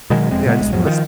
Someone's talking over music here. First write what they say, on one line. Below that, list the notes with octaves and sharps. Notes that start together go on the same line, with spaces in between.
Hey, I just wanna s
B2 D#3 F#3 G#3
E1 F2 G#3 C4
A#2 C#3 G#3 B3
D1 B1 G#3
E2 G#2 F3 F#3
D#3 F3